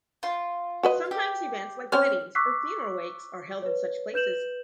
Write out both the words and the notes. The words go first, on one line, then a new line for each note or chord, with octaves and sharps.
Sometimes, events like weddings or funeral wakes are held in such places.
F4
F#4 B4 D#5
G4
C4 C#4 C#5 F6
C#6 D6 E6 F#6 B6 C7
B4 C#5
B4 G6 E7 F#7